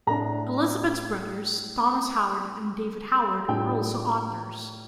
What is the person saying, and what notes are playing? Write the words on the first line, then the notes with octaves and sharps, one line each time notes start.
Elisabeth's brothers, Thomas Howard and David Howard, are also authors.
A2 A3 D4 A#5
A2 G3 D4 F4 G5